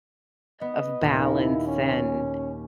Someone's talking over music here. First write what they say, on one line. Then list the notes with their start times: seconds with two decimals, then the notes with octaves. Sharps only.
of balance and
0.61 B3 D#5
1.01 D#2 A#2 A#3
1.34 E4
1.67 C#4